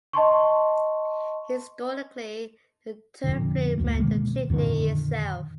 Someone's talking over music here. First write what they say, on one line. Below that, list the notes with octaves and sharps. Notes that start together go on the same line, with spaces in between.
Historically the term flue meant the chimney itself.
D#5 A5 C6 C#6
F2 A#2 D3
G#1 D2 A#3
B2 D#3 G#3 A#3
F2 A#2 D3 D#3